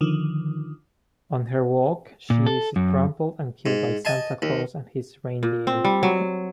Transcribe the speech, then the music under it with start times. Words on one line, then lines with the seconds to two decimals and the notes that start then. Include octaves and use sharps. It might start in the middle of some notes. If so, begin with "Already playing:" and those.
On her walk, she is trampled and killed by Santa Claus and his reindeer.
0.01 D3 D#3 F3
2.30 A#2
2.46 A4
2.76 F#2
3.66 G#2
4.05 D#5 G#5 A5
4.42 D#2
5.43 A#2
5.67 C4
5.85 G3
6.03 F#3